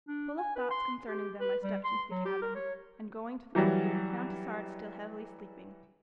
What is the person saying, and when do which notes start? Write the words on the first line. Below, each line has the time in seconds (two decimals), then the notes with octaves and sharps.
Full of thoughts concerning them I stepped into the cabin, and, going to the cook-room, found Tassard still heavily sleeping.
0.08 D4
0.38 G#5
0.56 B4
0.71 C6
1.08 G4
1.40 B4
1.63 G3
1.84 C6
2.11 F#3
2.25 G4
2.42 A#4
2.55 C#5
3.55 E3 F#3 G3